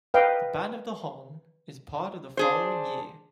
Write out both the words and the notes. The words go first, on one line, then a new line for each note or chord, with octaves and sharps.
The band of The Hon is part of the following year.
B4 D#5 F5 G5
D4 G#4 C5